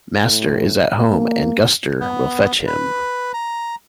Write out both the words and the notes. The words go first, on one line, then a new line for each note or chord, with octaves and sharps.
Master is at home, and Guster will fetch him.
A2
A#3
B3
B4
A#5